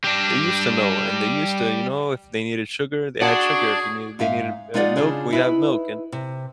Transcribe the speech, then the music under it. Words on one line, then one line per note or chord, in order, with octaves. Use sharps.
they used to know and they used to, you know, if they needed sugar, they had sugar, if you needed they needed, uh, milk, we have milk and
G3 D4
D4 F#4 G#4
G#2 D#4 E5 F5
G#3 D#4 F4 G#4 D5 F#5
C#3 D4 D#4 F4 G#4
D#4 E4 B4
C3